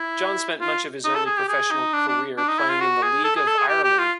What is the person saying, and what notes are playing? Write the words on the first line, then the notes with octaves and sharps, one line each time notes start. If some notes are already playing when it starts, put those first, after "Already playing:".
John spent much of his early professional career playing in the League of Ireland.
Already playing: E4
F4
D#4
A4
G#4
G4
G#4
D#4
D4
D4
D4
D#4
E4
F4
F#4
G#4
A4
G#4
A4
G#4
G4
G4
F4